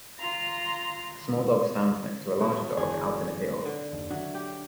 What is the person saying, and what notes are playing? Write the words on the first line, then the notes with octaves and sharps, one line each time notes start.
A small dog stands next to a larger dog, out in a field.
F4 A#5
B2
G1 E2 D4 G#4
D3
F#1 D#2
F#3 D4 E5
G4